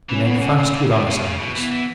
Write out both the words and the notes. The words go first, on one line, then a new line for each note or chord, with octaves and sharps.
We made fast with ice anchors.
E3 C#4
C#3 B3
C#4
B2
C#3
C#3
A2
B2
C#3
B2
E3 B3
E3